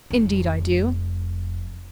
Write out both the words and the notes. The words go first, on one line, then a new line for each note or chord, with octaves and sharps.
"Indeed I do."
F1 F2